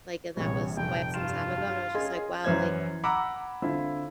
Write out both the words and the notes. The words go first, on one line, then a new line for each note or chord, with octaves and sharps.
like, and that was quite some time ago and I was just like, "Wow, like,
A#1 C3 E3 G3 C#5
F1 G5
G2 F4 E7
G2 F6
C#4 G#4 A#4 D#5 C6
F#2 E3 C5 G#6
F#5 A#5 B5 D6 E6
D3 C4 E4 F4